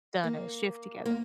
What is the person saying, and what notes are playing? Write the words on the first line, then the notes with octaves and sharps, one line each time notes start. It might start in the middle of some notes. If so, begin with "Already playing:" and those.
done a shift together-
A#3
A#3